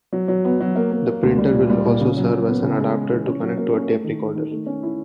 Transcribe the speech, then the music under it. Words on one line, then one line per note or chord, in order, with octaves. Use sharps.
The printer will also serve as an adapter to connect to a tape recorder.
F#3
F#3
B3
F#3
A#3
A#3
A#3
D2
G3
A#2
G3
A#2
C#3
F#3
F#3
B3
C#3
G#3
G#3
E3
C#4
F#3
A#3
C#4
A3
D#3
D#3
D#3
A3
C#4
E4